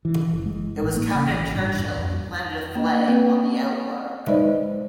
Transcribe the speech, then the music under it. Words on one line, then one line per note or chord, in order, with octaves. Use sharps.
It was Captain Churchill who planted a flag on the outwork.
E3
F#1
G#3
A1
A#3
C#3
A1
G2
E2
F2
A#3 D4 D#5
A#3 C4 B4 F#5 G5
G#3 D#4 B4 C5 D5 D#5